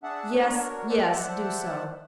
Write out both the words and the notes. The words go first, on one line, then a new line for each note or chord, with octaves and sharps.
"Yes, yes, do so."
D4 G#4 E5 F#5 A5
D4 F#4 A#4 C#5
C5 D5 E5 F#5 A5